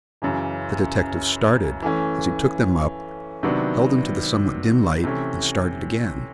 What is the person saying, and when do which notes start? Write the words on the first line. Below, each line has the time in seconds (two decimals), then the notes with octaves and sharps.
The detective started as he took them up, held them to the somewhat dim light, and started again.
0.22 F#2 C#3 E3
1.82 E3 A3 C#4
3.43 C3 D#3 F#3 B3 D4
5.04 C3 E3 A3 C#4